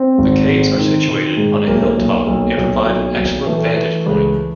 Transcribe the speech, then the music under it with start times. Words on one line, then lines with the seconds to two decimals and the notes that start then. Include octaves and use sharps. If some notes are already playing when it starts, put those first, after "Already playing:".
The caves are situated on a hilltop and provide an excellent vantage point.
Already playing: C4
0.18 G#1
0.47 G#2
0.77 D#3
1.08 D#3
1.37 G#2
1.67 B1 A#3
1.74 A3
1.83 A#3
1.97 B1
2.27 B1
2.57 B1
2.86 B1
3.16 B1
3.46 E3 A3
3.76 E3
4.06 C#2